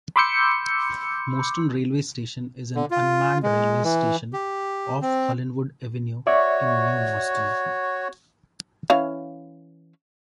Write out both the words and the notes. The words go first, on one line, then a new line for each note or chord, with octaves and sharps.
Moston railway station is an unmanned railway station off Hollinwood Avenue in New Moston.
B5 C6 D6 E6 G6 C#7
D3
F4
G#3
E3
G4
C4
F#4 C#5 D5 E5 C#6
E3 C#4 F5